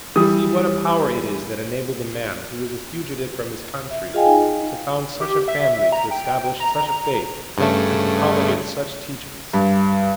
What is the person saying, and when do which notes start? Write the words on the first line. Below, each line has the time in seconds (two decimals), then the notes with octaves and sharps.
See what a power it is that enabled a Man Who was a fugitive from His country to found such a family, to establish such a faith, and to promulgate such teachings.
0.16 E3 G3 D#6
3.91 E5
4.13 F4 G#4 D#5 F5 G5 G#5
4.26 D#4
5.21 G4
5.48 E5
5.92 A#5
6.11 G5
6.60 A#5
7.58 G2 C#3 A3
9.53 G2